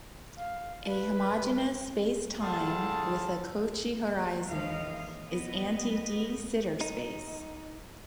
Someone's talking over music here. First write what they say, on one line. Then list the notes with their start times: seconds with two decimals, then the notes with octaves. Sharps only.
A homogeneous space-time with a Cauchy horizon is anti-de Sitter space.
0.38 F5
0.90 B4
2.42 D3 G3 F4 G#4 A4 A5
4.46 D#2 D#3 E3 G#3 D#5 F5
5.25 B3 D#5
6.81 D#4